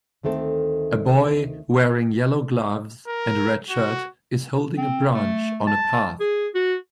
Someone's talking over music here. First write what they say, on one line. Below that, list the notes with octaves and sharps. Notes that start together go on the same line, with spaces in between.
A boy wearing yellow gloves and a red shirt is holding a branch on a path.
D2 D#3 A3 C4 A4
A#4
F#4
C4
A3
A5
G#4
F#4